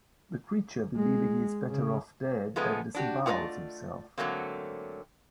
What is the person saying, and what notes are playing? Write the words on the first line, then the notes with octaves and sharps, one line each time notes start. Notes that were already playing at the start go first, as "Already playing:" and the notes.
The creature, believing he is better off dead, then disembowels himself.
G#3
C#3
C#3 F3 G#3 A3 B3
D4 F#4 G4
A3 F4 A4 A#4 D5 D#5
G#2 D3 F#3 A3 A#3 C4